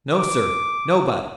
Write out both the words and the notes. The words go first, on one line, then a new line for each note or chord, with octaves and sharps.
"No, sir, nobody."
D6